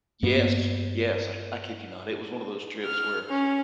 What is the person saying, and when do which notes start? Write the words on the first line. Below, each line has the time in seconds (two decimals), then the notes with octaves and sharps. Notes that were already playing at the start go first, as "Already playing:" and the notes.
Yes. Yes. I I kid you not. It was one of those trips where
0.23 G2 A#3 B3
2.85 F6
3.30 C#4